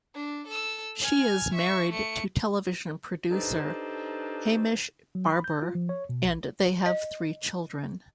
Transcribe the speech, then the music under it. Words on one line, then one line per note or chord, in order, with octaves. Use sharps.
She is married to television producer Hamish Barbour and they have three children.
D4
A4 E6
G#5 F6
E5 C#6
A3 C#7
D4 D#4 G4 A4 B4 C5
F#3
B5
G6
F4
F3
C#5
B2
A#1
D#5